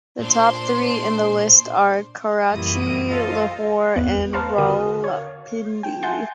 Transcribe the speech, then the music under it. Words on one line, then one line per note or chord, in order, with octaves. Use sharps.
The top three in the list are Karachi, Lahore and Rawalpindi.
A#2 D4 C5 C6
F#2 A#2 E3 G3 E4 D#6
F4 A4 C5 D#5 F5
G#1 E2 B3 F#6
B4 C5 F5 A5 A#5 C6
D3 F#4 A#4 D#6
C#5 F5
G5
E5 F#5 G#5 A5 C6 G6